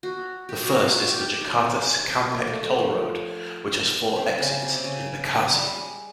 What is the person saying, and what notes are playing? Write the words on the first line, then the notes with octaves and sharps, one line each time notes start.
The first is the Jakarta-Cikampek Toll Road, which has four exits in Bekasi.
F#4
G4
F#4
F4
F#4
G4
G4
D#4
C4
C#4
A#3
A3
A3
F3
C3
C#3
C3
C#3
G3
G#3